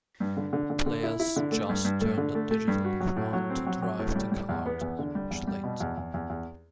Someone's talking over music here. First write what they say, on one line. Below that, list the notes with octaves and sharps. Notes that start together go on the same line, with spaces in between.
Players just turn the Digital Crown to drive the car to switch lanes.
G2
D3
D3
D3
D3
E4
E4
D3
A3
G2
G2
A3
D3
A3
A3
G2
F#4
F#3
A2
F#3
C4
F#3
F#3
A2
G3
G3
E2
B3
E2
D3
G3
E2
G3
B2
E2
E2
E2
E2